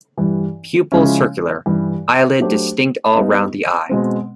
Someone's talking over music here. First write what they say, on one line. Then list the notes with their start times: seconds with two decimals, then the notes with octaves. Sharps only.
Pupil circular; eyelid distinct all round the eye.
0.17 G2 E3 G3
0.92 C#3 F3 G#3 C#4 E4
1.66 G2 E3 G3
2.40 F#3 A3 D4 G4 C5
3.15 G3 B3 D#4
3.89 B2 G#3 C4